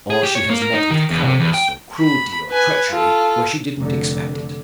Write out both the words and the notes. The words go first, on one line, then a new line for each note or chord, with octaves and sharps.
Or she has met with cowardice or cruelty or treachery where she didn't expect it.
G#4
G4
C#5
A#3
A#4
D#4
D#3
E2
C3
E2
G5
B5
B4 G#5
F4 A4
F1 D3